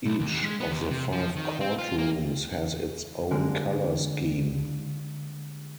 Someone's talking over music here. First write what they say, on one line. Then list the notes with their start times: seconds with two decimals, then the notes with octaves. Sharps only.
Each of the five court rooms has its own color scheme.
0.05 B1
0.20 D#2
0.43 G#3
0.60 B3
0.72 D#2
0.90 C3
1.12 F3
1.36 D#3
1.61 C4
1.79 F4
1.98 A#3
3.31 D3 G3 G#3 A#3 F4